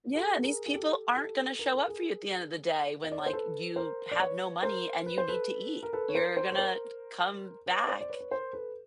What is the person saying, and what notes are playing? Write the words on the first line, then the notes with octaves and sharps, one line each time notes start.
Yeah, these people aren't gonna show up for you at the end of the day when, like, you have no money and you need to eat. You're gonna come back
G4 A4
G#4 A#4
G#4
G4 A4
G4 A4
A#4
A4
G#4 A#4
D#5
D5
C#5
C5
A4 B4
A#4 C5
D5
B4 C#5
A#4 C5
B4
C5
A4 B4
A#4
A4 B4
C#5
A#4 C5
A#4 C5
C#5
A#4 C5
B4 C#5
C5 D5
D5
B4 C#5
C#5
A#4 C5
A4 B4